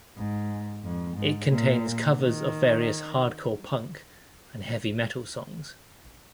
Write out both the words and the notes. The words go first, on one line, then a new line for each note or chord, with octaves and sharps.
It contains covers of various hardcore punk and heavy metal songs.
G#2
F2
G#2
A#2
D#3